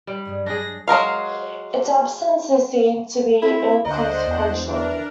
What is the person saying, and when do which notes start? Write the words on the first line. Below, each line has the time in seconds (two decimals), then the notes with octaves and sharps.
Its absence is seen to be inconsequential.
0.07 G3
0.25 G2 F#3 G#3
0.46 D4 G#4 A#6
0.88 F#3 G#3 A#4 F5
3.42 C4 E4
3.85 D2 D4 A#4 C5 D#5 F#5
4.26 E2
4.68 E3 D4 A#4